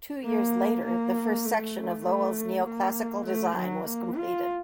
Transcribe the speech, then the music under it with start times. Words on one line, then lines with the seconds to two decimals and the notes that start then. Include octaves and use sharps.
Two years later, the first section of Lowell's neoclassical design was completed.
0.25 A#3
0.86 A#3
1.46 A3
2.05 A3
2.66 A#3
3.26 A3
3.56 F#3
3.87 A#3
4.17 F4